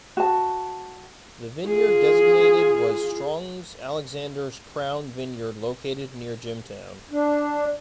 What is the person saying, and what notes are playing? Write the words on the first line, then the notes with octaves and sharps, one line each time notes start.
The vineyard designated was Strong's Alexander's Crown vineyard located near Jimtown.
F#4 A5
F4 G#4
D4